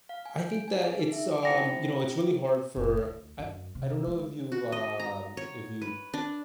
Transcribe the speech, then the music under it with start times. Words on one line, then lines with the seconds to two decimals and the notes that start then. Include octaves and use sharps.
I think that it's, um, you know, it's really hard for I I don't know if you've, um if you've
0.09 F5
0.26 G#5
0.39 G6
0.51 D7
0.68 G#5
0.84 G#4
0.99 D#4
1.12 E5
1.43 A2 C3 D#3 G#5 A#6 C#7
2.77 F#1
3.01 D2
3.39 F#2
3.75 C3
4.07 G#3
4.52 F#4
4.72 D#5
5.00 A#5
5.37 C#5
5.82 B4
6.14 D4